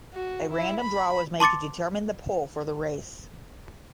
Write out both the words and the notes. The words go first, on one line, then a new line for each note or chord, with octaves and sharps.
A random draw was made to determine the pole for the race.
F#4
E4
B5
A5 C6 D6 A6 C#7